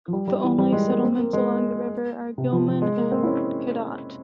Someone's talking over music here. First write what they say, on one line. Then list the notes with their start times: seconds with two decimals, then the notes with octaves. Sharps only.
The only settlements along the river are Gilman and Cadott.
0.08 F3
0.13 G3
0.28 G3
0.44 E3
0.58 G3
0.72 G#3
0.87 A#3
1.03 C4
1.18 A#3
1.33 G#3
2.38 C3
2.52 F3
2.67 F3
2.82 G#3
2.97 A#3
3.12 C4
3.23 E4
3.26 C#4